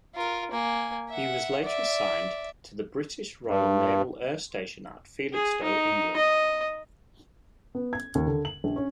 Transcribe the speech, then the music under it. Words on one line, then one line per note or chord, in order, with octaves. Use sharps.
He was later assigned to the British Royal Naval Air Station at Felixstowe, England.
F4 A#4
A#3 G#5
E5 F#5
D5 E5
G2
G#4
D#4
D#5
B3
G#6
D#2
D3
F#7
A#1
C#4